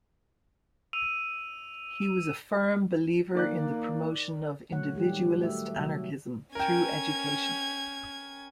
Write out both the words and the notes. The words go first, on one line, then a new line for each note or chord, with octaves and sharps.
He was a firm believer in the promotion of individualist anarchism through education.
E6 D#7 F7
D#3 A#3 D5 F#6
A#2 F#3 A3 C#5 F#5
D#3 G3 G4
A3 F#4 E5
C3 D#3 F#3
C#4 A#4 G5 G#6